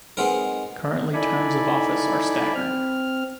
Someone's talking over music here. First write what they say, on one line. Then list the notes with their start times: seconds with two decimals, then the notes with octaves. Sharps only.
Currently terms of office are staggered.
0.17 G#3 B3 C4 D#4 A#4
1.14 D#4 E4 A4 D5 G#5 B5
2.55 C4 F6